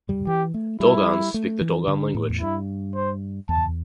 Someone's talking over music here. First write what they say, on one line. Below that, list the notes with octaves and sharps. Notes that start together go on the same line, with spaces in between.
Dolgans speak the Dolgan language.
G3
E3 G4
A3
G3 E4
A3
E3
D3
A2
E2
G2 E4
C5
E2 A5